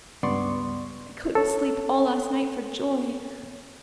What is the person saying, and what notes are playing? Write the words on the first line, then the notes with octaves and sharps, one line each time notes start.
I couldn't sleep all last night for joy.
C#2 G2 B3 D5 C6 C#6
A4 C#5